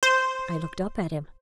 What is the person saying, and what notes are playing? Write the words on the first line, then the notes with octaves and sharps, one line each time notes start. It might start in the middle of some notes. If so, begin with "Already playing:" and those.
I looked up at him.
C5